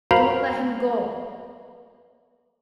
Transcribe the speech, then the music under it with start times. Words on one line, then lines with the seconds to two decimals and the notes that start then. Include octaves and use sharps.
"Don't let him go."
0.11 F#4 A#4 C5 F5 A#5 B5